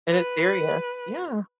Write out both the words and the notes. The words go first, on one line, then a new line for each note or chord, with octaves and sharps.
And it's serious Yeah.
B4